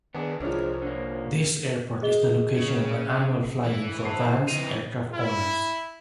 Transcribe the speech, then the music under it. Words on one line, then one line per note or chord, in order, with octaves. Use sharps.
This airport is the location of an annual fly-in for Van's aircraft owners.
D#3 B3 D4 G#4
C2 D3 F3 G#3 C#4 A#4 C5
D3 A#3
G#4 D#5 G7
C#3
E3
E4 C5 A5 C7
F2 E3 C4 D#4 C7 D#7 F7
E4